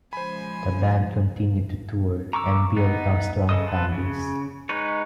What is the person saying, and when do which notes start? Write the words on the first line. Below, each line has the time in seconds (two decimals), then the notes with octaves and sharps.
The band continued to tour, and build a strong fanbase.
0.13 C#3 F3 G#3 C5 G#5 B5
2.33 A#5 C#6 D6 E6
2.77 B3 D#4
3.49 C#3 A4 D#5 D#6
3.66 F4 A4 B4
3.92 C#3
4.69 G#3 D#4 B4 C#5